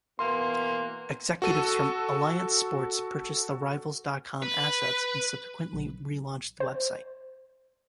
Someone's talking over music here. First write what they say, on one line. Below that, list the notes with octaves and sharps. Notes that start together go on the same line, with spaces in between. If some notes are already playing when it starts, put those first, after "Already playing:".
Executives from AllianceSports purchased the Rivals dot com assets and subsequently relaunched the website.
B2 E3 A#3 C6
F#4 A4 D#7
B4
B1
C5